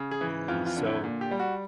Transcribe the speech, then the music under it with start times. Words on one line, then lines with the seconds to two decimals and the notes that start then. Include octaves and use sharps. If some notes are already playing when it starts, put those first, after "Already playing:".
and so
Already playing: C#3
0.11 G#4
0.21 E3
0.48 F2 F4
0.66 F4
0.77 D3
0.85 E4
1.04 A#2
1.21 G4
1.31 G3
1.39 F#4